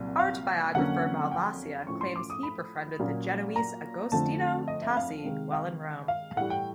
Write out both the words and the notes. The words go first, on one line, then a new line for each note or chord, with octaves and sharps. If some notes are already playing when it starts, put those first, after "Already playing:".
Art biographer Malvasia claims he befriended the Genoese Agostino Tassi while in Rome.
Already playing: C2 A#2 F#3
F5
F2 D3 F#3 A#3 C#4 F#5
G5
A2 F3 A3 C#4 C#6
C6
D6
D#6
B5
A#2 F#3 A#3 C#4
A#5
F2 D3 F3 A3 A5
D#5
E5
F5
C3 D#3 G#3
F5
F5
A2 E3 G3 F#5
G5